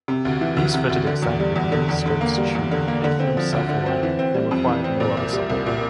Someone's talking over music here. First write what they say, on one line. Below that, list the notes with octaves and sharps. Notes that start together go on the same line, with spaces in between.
These fitted exactly the endoscope's tube, making them self-aligning, and required no other support.
C3
D2
E3
D2
C3
D2
D3
E2
G3
E2
D3
E2
D3
A#3
G3
E2
D3
A#3
D3
C4
F3
D2
D3
C4
E3
C4
G3
F2
E3
C4
A#2
C2
G3
C2
A#2